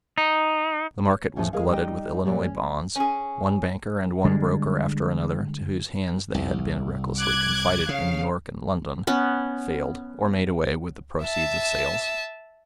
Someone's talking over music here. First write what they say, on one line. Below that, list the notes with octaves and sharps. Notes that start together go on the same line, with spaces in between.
The market was glutted with Illinois bonds; one banker and one broker after another, to whose hands they had been recklessly confided in New York and London, failed, or made away with the proceeds of sales.
D#4
C#5
A2 F3 G#3 A3 C#4 F4
G#3 G#4 A#4 F5
G3 D#4 D#5 G5
F#2 A#2 F#3 G3
C#4
C#4 G#4
D3 G3 G#3 D4
C2
D6 F#6 G#6
C#3 F5
B3 C#4
E5 A5